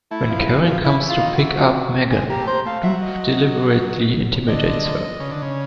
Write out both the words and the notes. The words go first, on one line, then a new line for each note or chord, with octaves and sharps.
When Karen comes to pick up Megan, Doob deliberately intimidates her.
A3 E4
E3
F3
F#3
F3
E3 E4
E3
F4
D#3
F#4
E3
F3
G#3
A#3 G4
A3
A#3 C5
A3 F5
F#3 E5
D#5
D3 D#5
C#3
D3
C#3